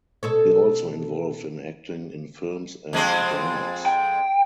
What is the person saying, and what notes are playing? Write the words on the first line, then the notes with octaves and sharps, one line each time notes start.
He also involved in acting in films and dramas.
B2 A4 C#5
F2 G#3 C4
G5